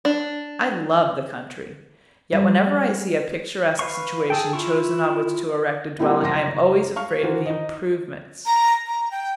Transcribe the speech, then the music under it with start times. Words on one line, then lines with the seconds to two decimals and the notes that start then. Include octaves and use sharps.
I love the country, yet whenever I see a picturesque situation chosen on which to erect a dwelling I am always afraid of the improvements.
0.05 D4
2.32 G3
3.79 B4 F5 C#6
4.30 G#4 A4 G5
4.53 E4 F4 C#6
5.99 G3 A#3 C4 D#4 E4
6.21 F#1 F#2 C6 A#6
6.96 F5 C#6 F6
7.23 E3 F#4 A#4 C5
7.46 D#4 D#5
8.46 A#5
8.87 A#5
9.11 G5